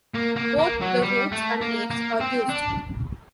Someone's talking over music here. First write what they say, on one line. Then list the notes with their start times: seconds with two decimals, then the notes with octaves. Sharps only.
Both the roots and leaves are used.
0.14 A#3
0.36 A#3
0.59 A#3
0.81 F#3
1.02 G3
1.32 A3
1.61 A#3
1.91 A#3
2.21 C4
2.49 D4